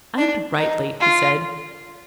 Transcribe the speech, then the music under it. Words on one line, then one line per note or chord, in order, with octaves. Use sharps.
"And rightly," he said.
D4
D#4
F4